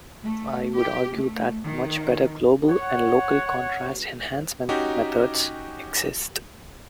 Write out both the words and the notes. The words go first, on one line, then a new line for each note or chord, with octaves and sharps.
I would argue that much better global and local contrast enhancement methods exist.
A3
G4
A3
D#3
C#5 F#5
C#4 D#4 F#4 G4